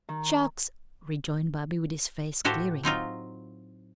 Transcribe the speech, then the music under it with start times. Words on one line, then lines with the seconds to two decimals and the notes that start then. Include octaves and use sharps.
"Shucks!" rejoined Bobby, his face clearing.
0.09 D#3
2.45 A2 F#4 G4 A4 C5
2.83 F#3 C4 D#4 F4